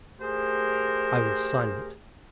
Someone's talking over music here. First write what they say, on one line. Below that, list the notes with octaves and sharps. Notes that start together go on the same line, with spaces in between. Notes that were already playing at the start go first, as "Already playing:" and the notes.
I was silent.
A3 G4 G#4 A#4 C5